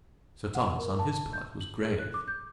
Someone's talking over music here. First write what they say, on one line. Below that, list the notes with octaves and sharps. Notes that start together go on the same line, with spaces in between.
Sir Thomas, on his part, was grave.
F#5
A#4
A5
G6
F#7
G#4
F#6
D6
G6